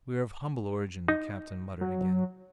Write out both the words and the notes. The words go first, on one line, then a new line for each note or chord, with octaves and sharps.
"We are of humble origin," the captain muttered again.
D#4
F#3